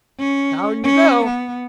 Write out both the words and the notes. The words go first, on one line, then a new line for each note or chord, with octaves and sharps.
'Down you go!
C#4
C#4
B3